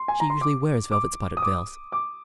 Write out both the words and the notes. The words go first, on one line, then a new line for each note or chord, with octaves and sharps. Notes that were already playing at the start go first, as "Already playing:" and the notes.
She usually wears velvet-spotted veils.
Already playing: C6
G#5
A#5
C6
D6
D6
D#6
D6
D6